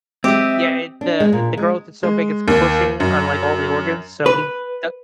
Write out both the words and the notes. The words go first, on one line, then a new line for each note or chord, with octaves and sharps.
yeah, it, uh the growth is so big, it's pushing on, like, all the organs, so, he da
F#3 G#3 C4 G4 D#5 E5
D4
G#3
A#2
G#3
G#3
D#2
F#2
B4